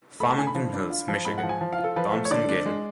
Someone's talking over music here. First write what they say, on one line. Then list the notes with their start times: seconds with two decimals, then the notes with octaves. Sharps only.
Farmington Hills, Mich.: Thomson Gale.
0.20 A3 B5
0.29 A5
0.38 D3 G#5
0.47 B5
0.55 F3
0.73 D4
0.90 F4
1.08 F3
1.25 G#2 B5
1.38 F#5
1.43 F3
1.49 G#5
1.61 F3
1.73 F5
1.78 F4
1.84 A4
1.96 F3 B4
2.13 A3
2.25 C#5
2.31 D3 D5
2.49 D4
2.66 G#3